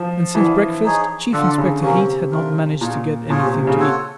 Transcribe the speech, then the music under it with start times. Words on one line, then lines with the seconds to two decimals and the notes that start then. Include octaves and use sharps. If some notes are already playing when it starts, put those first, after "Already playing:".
And since breakfast Chief Inspector Heat had not managed to get anything to eat.
Already playing: F3
0.35 E3 G3 B3 E4
0.85 D#4 G#4 C#5
1.33 D3 F4 A4 D5 F#5
1.58 C#3
1.82 C3 F#3 A#3 C#4 F#4
2.32 A3 D4 F4 A#4
2.81 A#2 D4 F4 G#4 C#5
3.29 A#2 C#4 F4 G#4 C#5
3.42 C3
3.54 C3
3.67 C#3
3.79 F4 A4 C#5 F#5